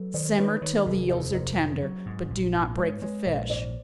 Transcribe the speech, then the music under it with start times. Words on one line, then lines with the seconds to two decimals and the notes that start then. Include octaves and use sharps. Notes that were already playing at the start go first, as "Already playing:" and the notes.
Simmer till the eels are tender, but do not break the fish.
Already playing: F#3 A4 B4
0.14 D#3 C5 D5
0.38 D#3 B4 C#5
0.62 D#3 B4 C#5
0.86 F1 G#4 A#4
1.10 D#2 A#4 C5
1.34 F1 A#4 C5
1.58 D#3
1.82 F#3
2.06 G#2
2.30 A#1
2.54 G#2
2.78 G#3 B4 C#5
3.02 G#3 B4 C#5
3.26 A#1 A#4 C5
3.50 G#2 C5 D5